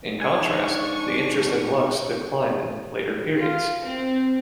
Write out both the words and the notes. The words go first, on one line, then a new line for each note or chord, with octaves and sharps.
In contrast, the interest in Lux declined in later periods.
G#2 D4 G#5 C#6
F4
C4